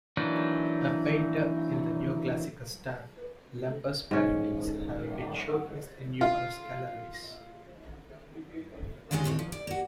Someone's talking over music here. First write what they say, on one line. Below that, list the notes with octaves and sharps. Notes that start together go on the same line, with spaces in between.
A painter in the neoclassical style, Lemper's paintings have been showcased in numerous galleries.
E3 F#3 A#3 D4 D#4
G#2 C#4
F4
D3 D#3 G#3 C#4 D#4 G#4
D#2 A2 C4 C#5
F3
D5
A#3 F#4